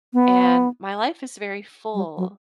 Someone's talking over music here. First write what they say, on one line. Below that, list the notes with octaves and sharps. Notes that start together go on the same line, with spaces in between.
and my life is very full
B3
G3
F#3